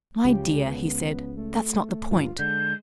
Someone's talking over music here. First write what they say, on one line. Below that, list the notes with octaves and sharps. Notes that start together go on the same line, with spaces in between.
'My dear,' he said, 'that's not the point.
C#2 C#3 G4
B3
A3
D2 G2 F4
D3 G#3 G6